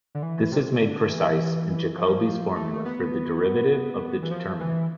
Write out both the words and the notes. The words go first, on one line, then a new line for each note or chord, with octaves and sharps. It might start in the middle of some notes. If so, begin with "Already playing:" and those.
This is made precise in Jacobi's formula for the derivative of the determinant.
D3
E3
C3
D3
E3
F3
A3
B3
E3
F3
E3